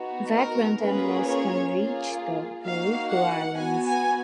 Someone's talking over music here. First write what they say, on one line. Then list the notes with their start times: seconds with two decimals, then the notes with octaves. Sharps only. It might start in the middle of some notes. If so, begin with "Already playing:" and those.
Vagrant animals can reach the Ryukyu Islands.
Already playing: B3 D#4 F#4
0.34 A#4
0.80 A#3 C#4 F4 G#4 B4
1.26 C#5
1.72 A#3 F4 G#4
2.63 A#3 D#4 F#4 F5
3.10 F#5
3.56 B3 F#4 G#5
3.86 G#5